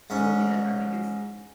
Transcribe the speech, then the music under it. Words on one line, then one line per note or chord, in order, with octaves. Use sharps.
So, yeah, I think it's
G#2 C#4